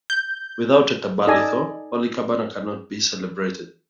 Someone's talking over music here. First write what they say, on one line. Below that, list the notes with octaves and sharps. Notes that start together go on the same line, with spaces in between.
Without a tabalitho Holy Qurbana cannot be celebrated.
G6
D#4 A4 D5 D#5 G#5